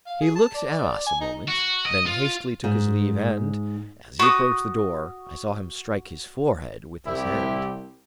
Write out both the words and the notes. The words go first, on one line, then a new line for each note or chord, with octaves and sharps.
He looked at us a moment, then hastily took his leave and, as he approached the door, I saw him strike his forehead with his hand.
F5
G#4
A5
D5
G#5
D#4
F#4
D#5
F4
G#2
F#4 D#6
C2 E4 G4